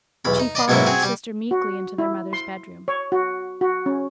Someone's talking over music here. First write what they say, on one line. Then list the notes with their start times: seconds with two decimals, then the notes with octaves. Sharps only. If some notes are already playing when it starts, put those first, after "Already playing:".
But she followed her sister meekly into their mother's bedroom.
0.25 B1 E2 B5
0.40 D#4
0.55 D5 D#5 B5 C6
0.68 G#2 B2 F#3 A#3 D#4 E4
0.87 F#3 C4 G#4
1.02 G3 G4
1.51 F#4
1.98 E4
2.33 C6
2.88 C#5
3.12 F#4
3.61 F#4
3.86 C#4